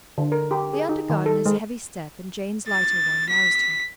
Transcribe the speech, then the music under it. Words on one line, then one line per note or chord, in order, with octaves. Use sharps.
The under-gardener's heavy step and Jane's lighter one roused her.
D3
A#4
G4
G#4
D#4
D#3
A4
G#3
A6
B6